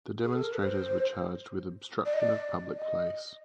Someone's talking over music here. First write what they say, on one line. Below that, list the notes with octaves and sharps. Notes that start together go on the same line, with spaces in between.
The demonstrators were charged with obstruction of public place.
G#4
A4
A#4
B4
C5
D5
D#5
D5
D#5